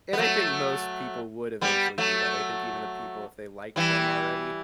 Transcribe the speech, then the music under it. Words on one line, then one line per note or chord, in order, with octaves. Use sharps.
And I think most people would eventually do that. I think even the people, if they liked them already,
B3
F#3 A3
G3 B3
F#3 A3
E3 G3